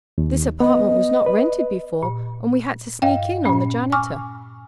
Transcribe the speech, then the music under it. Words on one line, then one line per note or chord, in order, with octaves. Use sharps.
This apartment was not rented before and we had to sneak in on the janitor.
D#2
B3 D#5
B4
A#2
G2 D#5 F5 G5
A#2 C#4
G#5 C#6 D6 E6 F6